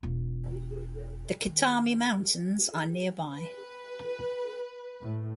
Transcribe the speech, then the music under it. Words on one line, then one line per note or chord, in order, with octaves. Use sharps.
The Kitami Mountains are nearby.
E1 F4
D#3
B4
A2